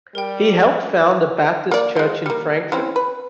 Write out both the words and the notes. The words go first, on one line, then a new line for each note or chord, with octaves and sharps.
He helped found a Baptist church in Frankfort.
G3 A#4 G5
A#3 D5
F3 G#3
G3 A#3
E3 C4 C#4
B4